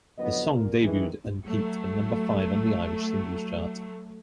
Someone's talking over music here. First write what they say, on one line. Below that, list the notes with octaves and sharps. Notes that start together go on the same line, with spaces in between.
The song debuted and peaked at number five on the Irish Singles Chart.
F2 A2 D3 F#3 B3 D#5
A#2 A#4
D#3 E3 G#4
F#3 A3